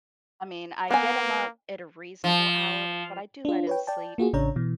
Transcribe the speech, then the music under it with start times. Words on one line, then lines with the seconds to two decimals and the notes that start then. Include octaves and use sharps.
I mean, I get him up at a reasonable hour, but I do let him sleep
0.91 A#3 B3 G#5
2.24 F3
3.45 D4 F4
3.67 B4 C#5 G5
3.87 D5 G5 A5
4.18 A#3 F4 F#4 G#4
4.33 A1 C#3 D4 C#5 A#5
4.56 B2 E3